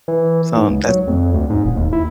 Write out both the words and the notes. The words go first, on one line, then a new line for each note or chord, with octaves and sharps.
so that's m
E3
G#2
C#2
F#3
F2
D2
G#2
D#1
D#2
E4